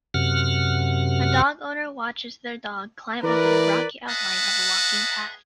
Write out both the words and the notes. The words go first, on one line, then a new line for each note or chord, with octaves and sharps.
A dog owner watches their dog climb over the rocky outline of a walking path.
F#2 C3 F#5 F6
E3 A#4 B4 D5
G#4 B4 D#5 E5 F#5 A5